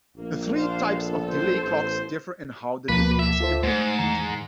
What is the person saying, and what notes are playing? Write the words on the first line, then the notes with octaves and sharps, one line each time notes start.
The three types of delay clocks differ in how the delay is implemented.
A#1 A#3
D4 C5 F5
B3 A4
C5
A1 C5
D2 B2 F3 A#3 B4
E5
F4 A4 C5
G#2 A3 C5
E2 D#3 A#5